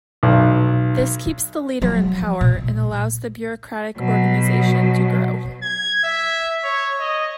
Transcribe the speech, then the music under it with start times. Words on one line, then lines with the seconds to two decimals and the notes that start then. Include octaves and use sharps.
This keeps the leader in power, and allows the bureaucratic organization to grow.
0.23 B1
1.82 F3 F#3
2.41 A#2
3.98 B2 F#3
5.63 G#6
6.04 E5
6.64 C#5
6.99 D#5